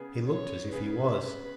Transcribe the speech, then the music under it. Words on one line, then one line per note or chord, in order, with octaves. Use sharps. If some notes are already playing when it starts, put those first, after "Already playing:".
He looked as if he was.
Already playing: C#3 B3 G#4
C#5
C#3 B3 G#4 B4